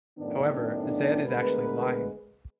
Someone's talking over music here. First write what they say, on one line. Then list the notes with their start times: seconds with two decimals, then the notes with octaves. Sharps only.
However, Zedd is actually lying.
0.19 F#2 A2 D#3 B3 D4
1.25 D2 G#3 B3 A#4 B4